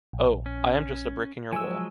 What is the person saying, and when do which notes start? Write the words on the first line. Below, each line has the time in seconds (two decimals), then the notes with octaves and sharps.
Oh, I am just a brick in your wall.
0.13 A#1
0.46 C#4
1.53 F3 F#3 G#3 G#5 E6